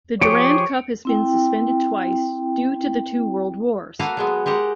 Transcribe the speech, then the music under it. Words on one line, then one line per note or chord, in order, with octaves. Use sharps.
The Durand Cup has been suspended twice, due to the two World Wars.
F3 G4 G#4 C#5 C#7 D7
C4 E4 G5
A#3 F#4 A4 B4 F5
F#3 G#3 B3
G#3 G4 A#4 F#5